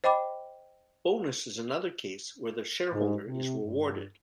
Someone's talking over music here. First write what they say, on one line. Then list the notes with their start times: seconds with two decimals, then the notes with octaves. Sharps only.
Bonus is another case where the shareholder is rewarded.
0.04 C5 D#5 G5 B5 D6
2.93 G#2
3.26 C3
3.64 G2